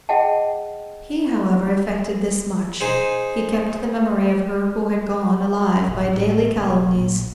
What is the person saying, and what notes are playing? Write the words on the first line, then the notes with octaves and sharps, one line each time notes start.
He, however, effected this much: he kept the memory of her who had gone, alive by daily calumnies.
G#4 D#5 F#5 G5 A5
D#4 G#4 C5
A1 D3
A1
E1 C#3
A#1